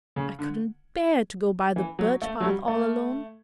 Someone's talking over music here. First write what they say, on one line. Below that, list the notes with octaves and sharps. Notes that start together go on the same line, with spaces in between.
I couldn't bear to go by the Birch Path all alone.
C#3
D3
E3
F#3
A3
F#3
G3
A3